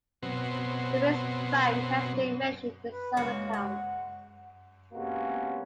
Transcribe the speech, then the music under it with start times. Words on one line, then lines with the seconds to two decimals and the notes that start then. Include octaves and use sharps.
The Riggs Bank has been mentioned in some accounts.
0.23 B2 F#3 C4
2.89 B4
3.17 C#3 G#3 A#3 F#4
3.53 F#5
4.93 C3 G#3 A#3 B3 C#4 F#4